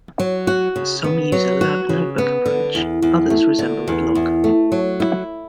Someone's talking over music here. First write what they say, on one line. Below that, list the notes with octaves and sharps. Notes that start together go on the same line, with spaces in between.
Some use a lab-notebook approach, others resemble a blog.
F#3
F#4
C#3
B3
F#3
F#4
C#3
B3
D3
E2
E2
A3
D3
E2
E2
A3
F#3
E4